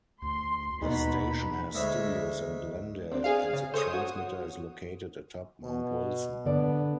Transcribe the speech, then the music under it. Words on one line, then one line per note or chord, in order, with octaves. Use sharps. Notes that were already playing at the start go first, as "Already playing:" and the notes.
The station has studios in Glendale, and the transmitter is located atop Mount Wilson.
D2 C6
D#2 B2 D#4 B4 C#5 B5
D2 G#3 C#5 E5 B5
C4 D4
G#4 F5
C#3
A4 C5 C#5 D#6
F#4
B2
D3 B3 D5